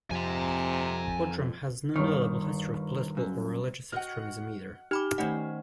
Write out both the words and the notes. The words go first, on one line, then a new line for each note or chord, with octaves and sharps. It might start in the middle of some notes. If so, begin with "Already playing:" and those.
Bodrum has no notable history of political or religious extremism either.
F2 C3 G#5 A#5
G1 D#3 C#5 C#6
F#2
F#4 D#5 F#5 G5 F6
D#4 G4 B5 D6 F6
D#3 A3 C#4 D#4 C5 F#5